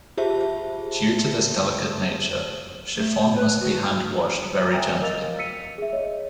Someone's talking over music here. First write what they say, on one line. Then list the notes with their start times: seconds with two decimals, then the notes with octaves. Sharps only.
Due to this delicate nature, chiffon must be hand washed very gently.
0.17 F4 G4 G#4 C5 E5 A5
2.95 A3
3.35 B4
3.60 F#4
4.72 E5 G5 G#5 A#5
5.02 A#4 D#5 F5 E6 A6 F7
5.39 E6 B6 C#7 D#7
5.78 G#4 E5
5.93 C#5 D#5